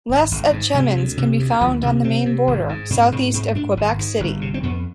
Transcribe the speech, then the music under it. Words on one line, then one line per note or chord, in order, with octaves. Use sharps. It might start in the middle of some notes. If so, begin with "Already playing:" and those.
Les Etchemins can be found on the Maine border, southeast of Quebec City.
G#1
G#1
G#2
C3 G#3
D2
C3
D2
D2 F3
C3 D#3
C3 C4
C3
G#1
G#2
G#2 C4
G#2 C4
G#2 C4
G#2 D4
G#1
G#2
G1
C3
C4
F2 B3